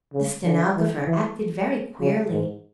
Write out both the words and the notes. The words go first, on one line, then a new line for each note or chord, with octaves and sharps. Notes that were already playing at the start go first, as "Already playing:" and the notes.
The stenographer acted very queerly.
C#3
D3
E3
E3
C#3
G#2